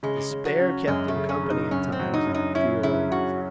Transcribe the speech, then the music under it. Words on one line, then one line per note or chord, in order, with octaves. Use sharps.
Despair kept him company at times, and fear always.
C#3 G#3
C#3
F#3
C#4
F#2 G#3
A3
C#3
C#4
C#3
D#4
F#2 C#4
C4
F#3
D#4
F#2
D#4
C#4 E4
C#3 E4
C#3 F#4